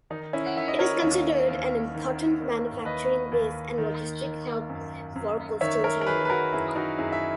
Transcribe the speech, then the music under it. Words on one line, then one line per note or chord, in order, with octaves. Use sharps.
It is considered an important manufacturing base and logistics hub for coastal China.
D#3 D#4
C#4 E4
F#5
D#3 E5
D#5
A#4 C#5
D#2
D#2
D#3
D#3
D#2 B4 D#5
D#2
D#3
D#3
F#2
F#2
D#3 C#5 E5
A#4 C#5
A#4
D#3 G#4 B4
B4
F#4 A#4
F#2 E4 G#4
D#4 F#4
F#2 E4 G#4
E5